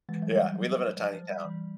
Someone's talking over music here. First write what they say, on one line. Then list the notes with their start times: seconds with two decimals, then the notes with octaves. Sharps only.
yeah, we live in a tiny town.
0.09 E3 G#3
0.22 F#3
0.31 G3
0.54 F#3
0.99 F3
1.15 F3
1.29 G3
1.45 E3 G3